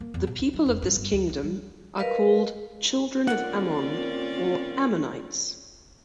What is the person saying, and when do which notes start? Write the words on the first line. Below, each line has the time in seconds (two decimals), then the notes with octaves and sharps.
The people of this kingdom are called "Children of Ammon" or "Ammonites".
0.01 A#3
0.14 E2
0.27 B2
0.39 C#2
0.53 F#3
0.66 F1
0.82 G2
0.96 G1
1.13 D2
1.29 C#2
1.42 G3
1.99 A#4 B4 D#5 F5
3.28 D3 D#3 A#3 C4 C#4 F4 D5 F#5